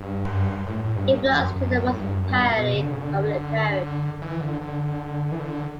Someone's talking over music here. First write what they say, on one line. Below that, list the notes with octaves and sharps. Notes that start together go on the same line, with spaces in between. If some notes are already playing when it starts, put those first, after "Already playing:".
It belongs to the municipality of Lipari.
Already playing: G2
A2
A2
G2
F#2
E2
F#2
F#2
A2
G2
F#2
G2
B2
C#3
D3
C#3
D3
E3
D3
D3
E3
D3